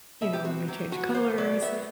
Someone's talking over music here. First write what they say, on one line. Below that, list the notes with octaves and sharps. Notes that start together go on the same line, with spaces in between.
you know, when they change colors
B2 E5
G4
C4 F#4
F#3 G4
B2 F#4
B2 C5
F#3 D5
B3 E5